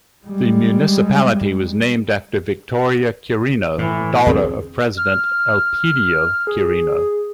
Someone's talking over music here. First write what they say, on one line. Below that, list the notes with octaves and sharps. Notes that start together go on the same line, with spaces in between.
The municipality was named after Victoria Quirino, daughter of President Elpidio Quirino.
G3 G#3
A2 E3
E2 D3 C4 G#4
F6
G#4